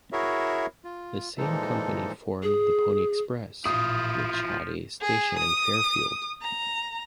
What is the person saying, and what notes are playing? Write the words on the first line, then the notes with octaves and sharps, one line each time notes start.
This same company formed the Pony Express, which had a station in Fairfield.
E4 F#4 G#4 A#4 C#5 E5
F4
A#2 E3 F3 G#3 D#4 A4
G#4
A1 A#2 F3 E4 F4 D#6
G#4
D#6
A#5